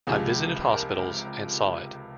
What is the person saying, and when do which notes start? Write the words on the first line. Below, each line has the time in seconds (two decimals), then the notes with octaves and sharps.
I visited hospitals and saw it.
0.07 C#2 C3 F3 G#4
0.70 A#4